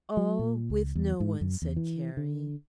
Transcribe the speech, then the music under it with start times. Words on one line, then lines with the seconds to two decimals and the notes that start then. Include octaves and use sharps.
"Oh, with no one," said Carrie.
0.17 F#3
0.39 A#2
0.70 C#2
0.95 E2
1.20 G#2
1.41 F#2
1.62 E2
1.76 E3
2.17 D3